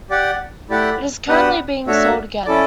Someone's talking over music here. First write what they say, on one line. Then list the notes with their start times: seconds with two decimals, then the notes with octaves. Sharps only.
It is currently being sold again.
0.10 G4 D5 F#5
0.69 A3 E4 G4 D5 F#5
1.28 B3 D4 G4 B4 F#5
1.87 A3 D4 F#4 C#5 E5
2.46 C#4 E4 A4 D5